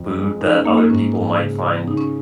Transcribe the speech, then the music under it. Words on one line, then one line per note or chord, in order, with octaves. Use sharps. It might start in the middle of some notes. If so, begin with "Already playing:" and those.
food that other people might find
Already playing: F2
G#3
D#4 A#4
C#4
A#3 D#4
A#3
G#2 C#4
G#2
C#3
C#3
C#3 D#4
C#4